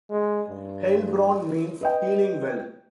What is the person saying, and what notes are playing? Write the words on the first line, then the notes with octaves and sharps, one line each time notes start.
"Heilbronn" means "healing well".
G#3
G2
B4 D#5 G5